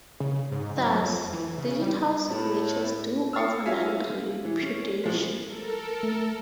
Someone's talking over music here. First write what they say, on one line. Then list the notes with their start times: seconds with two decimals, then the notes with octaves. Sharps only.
Thus, digital signatures do offer non-repudiation.
0.20 C#3
0.51 G#2
0.77 F#3
1.01 F2
1.33 E3
1.57 C#3
1.82 G3
2.28 A2
3.33 E6 F6 A6 C7 C#7
3.66 F4 E5 G#5
4.45 E3
4.63 C#4
5.04 A2 F3 G#3
5.43 A4 A#4
6.03 A3